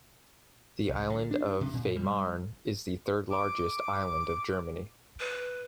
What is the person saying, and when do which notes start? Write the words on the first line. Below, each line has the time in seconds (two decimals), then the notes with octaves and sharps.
The island of Fehmarn is the third largest island of Germany.
0.89 C2
1.10 D3
1.31 D4
1.61 C3
1.73 A#2
1.96 G3
3.30 D6
5.20 B4